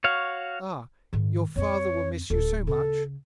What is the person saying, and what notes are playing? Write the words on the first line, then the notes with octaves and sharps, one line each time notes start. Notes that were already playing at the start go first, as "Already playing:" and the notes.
'Ah,--your father will miss you so much!
F#4 C#5 F5
G#2 D#3
F2 C4 C#5
D1 A4
C#3 A4